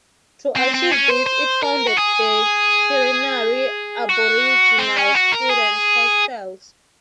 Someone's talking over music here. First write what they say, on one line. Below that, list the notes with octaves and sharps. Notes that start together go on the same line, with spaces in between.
To achieve this it founded the Kirinari Aboriginal Students Hostels.
C4
C4
C#4
C5
C5
A#4
F#4
G#4
F#4
C4
C#4
F#4
A#4
G#4